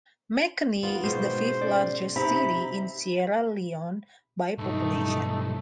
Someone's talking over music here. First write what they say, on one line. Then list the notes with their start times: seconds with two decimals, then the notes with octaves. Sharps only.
Makeni is the fifth largest city in Sierra Leone by population.
0.83 D#3 B3 F4
1.04 G#2 B2 C5
1.61 C#4 D5
2.16 C3 D#4 E5 A#5 B5
4.58 B1 G2 A3 D#4